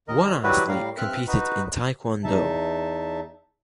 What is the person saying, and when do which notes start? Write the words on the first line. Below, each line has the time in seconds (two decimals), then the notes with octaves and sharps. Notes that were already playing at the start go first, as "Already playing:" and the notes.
One athlete competed in Taekwondo.
0.08 D#2 D#3 A#4 D#5
0.43 D#3 F#3 G3 E4 F#4 B4
0.68 A2 G3 A#4 F5
0.98 G2 C4 E5 F6 F#6
1.27 D#4 F#4 B4
2.24 E2 D#4 E5 A5